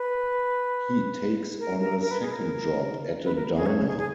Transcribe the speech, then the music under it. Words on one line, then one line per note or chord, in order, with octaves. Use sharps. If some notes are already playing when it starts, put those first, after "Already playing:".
He takes on a second job at a diner.
Already playing: B4
A#4
A#4
A#4
B4
G#4
A#4
B4
A#4
G#4
C#5
G#4
G#4